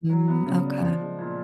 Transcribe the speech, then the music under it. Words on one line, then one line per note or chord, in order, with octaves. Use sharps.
Mm, okay.
F#3
B3
C#3
D4
F3
G#3
A#2